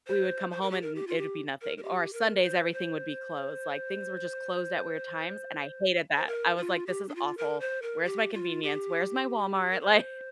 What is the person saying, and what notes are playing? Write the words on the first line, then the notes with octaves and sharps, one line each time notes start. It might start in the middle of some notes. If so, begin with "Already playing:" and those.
we would come home and it would be nothing, or Sundays, everything would be closed, like things were just closed at weird times, and I hated that, I was like, "This is awful. Where's my convenience? Where's my Walmart?" Like
C5
C5
A#4
G4
A#4
G4
F4
G4
A#4
A#4
G4
A#4
C5
C5
C5
A#4
F4
G4
D4
F4
A#4
C5
A#4
G4
F4
G4
A#4
C5